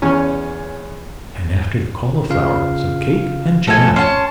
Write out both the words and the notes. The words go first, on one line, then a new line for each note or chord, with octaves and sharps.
"And after the cauliflower, some cake and jam."
E2 C#4
C#3 F4 F5
G#1 F3 A3 A4 G#5
C#4 A5 C6